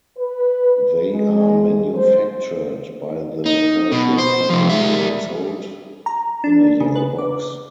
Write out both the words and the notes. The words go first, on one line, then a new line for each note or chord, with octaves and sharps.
They are manufactured by The Hershey Company, and sold in a yellow box.
B4
G#3
C5
D#4
B2
C5
C3 F3
G3 E5
A#5
D4
C#3
B4
D6